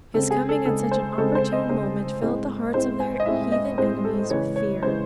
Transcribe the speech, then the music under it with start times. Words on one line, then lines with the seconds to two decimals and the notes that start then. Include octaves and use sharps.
His coming at such an opportune moment filled the hearts of their heathen enemies with fear.
0.14 C#3 G#3 C4 A4
0.31 G#4
0.49 A4
0.65 C#3 G#3 C4 A4
0.91 C5
1.18 C#3 G#3 C4 A4
1.35 C5
1.52 D#5
1.69 C#3 G#3 C4 C5
2.21 A2 G#3 C4
2.74 A2 G#3 C4 C5
3.00 G#5
3.20 D#5
3.26 A2 G#3 C4 E5
3.43 E5
3.52 D#5
3.78 A2 G#3 C4 C5
4.05 A4
4.30 C#3 E3 G#3 C#5
4.56 C#5
4.83 C#3 E3 G#3 C5